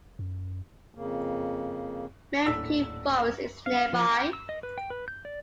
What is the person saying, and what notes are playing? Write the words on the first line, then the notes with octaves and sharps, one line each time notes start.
Mempi Forest is nearby.
F#2
F2 C#3 A#3
D#1 A2 D4 E6 B6
F5
F3
G5
E6
D#5
B4
G5
B4
G6
D5